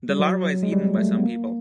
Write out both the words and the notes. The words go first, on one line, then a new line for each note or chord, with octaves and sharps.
This larva is eaten by some people.
G3
F#3
G#3
G3
A3
B3
A#3